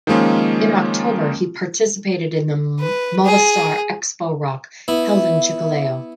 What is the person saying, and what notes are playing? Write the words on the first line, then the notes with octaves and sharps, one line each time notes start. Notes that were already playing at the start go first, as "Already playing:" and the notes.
In October he participated in the Movistar Expo Rock held in Chiclayo.
D#3 F3 G#3 A#3 C#4
B4
G#4
B3 E4 E5